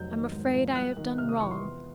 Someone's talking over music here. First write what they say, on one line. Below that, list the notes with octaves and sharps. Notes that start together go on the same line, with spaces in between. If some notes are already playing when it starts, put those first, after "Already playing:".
I'm afraid I have done wrong.
Already playing: F1 F#3 G6
D#3
G#2
A#1
G3 F#6
D#3
C3 F6
D#6
E2 C#6
C6
B3